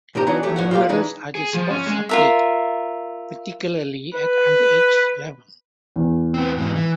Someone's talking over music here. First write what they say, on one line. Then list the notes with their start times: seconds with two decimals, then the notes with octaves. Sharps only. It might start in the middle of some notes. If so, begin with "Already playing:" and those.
Numerous other sports are played, particularly at under-age level.
0.15 B1 A#2 F3 G4 A#5
0.27 E3 F#3 B3 D4 D#4
0.43 F#3 A3 G4
0.56 A2 D3 F#5
0.71 F4 G4 A4 B4 D5 F5
0.89 E3 G#3 D4 D#4
1.35 G#4
1.54 F3
1.71 C#4
1.86 G#3
2.09 F4 A#4 E5
4.14 B4
5.96 E2
6.34 B3 C4
6.57 G#2 E3
6.75 E3